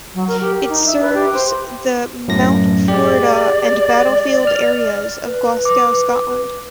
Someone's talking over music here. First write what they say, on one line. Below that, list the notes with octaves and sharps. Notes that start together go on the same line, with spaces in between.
It serves the Mount Florida and Battlefield areas of Glasgow, Scotland.
F#3
A#4
G4
D#4
E5
B4
G4
C5
F#2 A2 A#6
G#3 G4 D5
F6
B4
D6